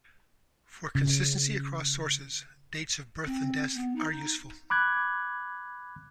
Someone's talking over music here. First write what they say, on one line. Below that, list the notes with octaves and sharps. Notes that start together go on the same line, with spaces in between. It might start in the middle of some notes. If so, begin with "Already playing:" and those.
For consistency across sources, dates of birth and death are useful.
C#3
C4
B3
D#4
B5 D6 F#6 G#6